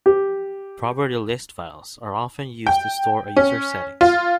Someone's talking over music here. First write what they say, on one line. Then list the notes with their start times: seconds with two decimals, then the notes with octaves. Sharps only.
Property list files are often used to store a user's settings.
0.06 G4
2.67 G5
3.36 C#4
4.01 F4